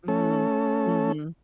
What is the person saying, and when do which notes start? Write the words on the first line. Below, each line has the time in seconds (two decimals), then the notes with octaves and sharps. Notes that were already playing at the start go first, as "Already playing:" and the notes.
Mhm, mhm.
0.08 A3 C#4 A4